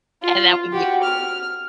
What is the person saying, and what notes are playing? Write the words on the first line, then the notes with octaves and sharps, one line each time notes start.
And that would be
F4
F#4 G4
F6